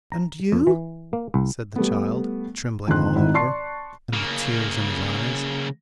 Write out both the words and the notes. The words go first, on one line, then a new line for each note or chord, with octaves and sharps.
"And you?" said the child, trembling all over, and with tears in his eyes.
A#5
F2
E3
A#3
C2
G3 A3 B3
F2 D3 D#3 G#3 C6 F#6
G#1 G#2 D#3 E4
D5 A5 C6 C#6 C7
C#3 A#3